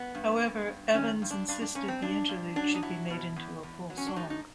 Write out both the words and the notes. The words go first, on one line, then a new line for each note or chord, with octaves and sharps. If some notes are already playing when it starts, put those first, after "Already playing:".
However, Evans insisted the interlude should be made into a full song.
Already playing: B3
G2
G2
G2
D#3 C#4
G2
D4
G2 D4
D4
G2 C#4
C4
G2 D4
G2
F#3 D4
D#4
F#3 E4
B2
E2
E2
F#3
C#4
D4
A2 D#4
D#4